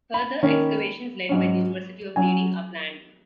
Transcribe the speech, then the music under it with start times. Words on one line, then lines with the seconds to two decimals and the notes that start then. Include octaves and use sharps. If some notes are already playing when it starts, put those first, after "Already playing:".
Further excavations led by the University of Reading are planned.
0.14 B5
0.43 D#3 A#3 C#4
1.29 G#2 F#3 C#4
2.16 F#3 C#4 G#5